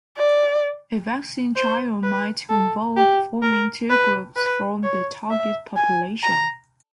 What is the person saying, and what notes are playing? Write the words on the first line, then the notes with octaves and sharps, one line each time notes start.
A vaccine trial might involve forming two groups from the target population.
D5
C5
B4
A4
G4
A#4
B4
B4
C#5
E5
G#5
A#5